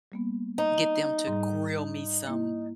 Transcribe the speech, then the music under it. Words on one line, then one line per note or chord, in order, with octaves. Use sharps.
get them to grill me some,
G3 A#3 B3
D#4
G#2 G3 A#5
A#3 E4